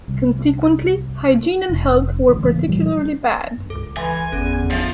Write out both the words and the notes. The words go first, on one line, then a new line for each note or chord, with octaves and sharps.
Consequently, hygiene and health were particularly bad.
C2
F1
A1 D2
C#2 G#2 E3 A#3
A#1 E3 G3
G2
C#2 A4
E3 E5 G#5 C6 A#6
G1 E2 C#4 A4
F3 D4 E5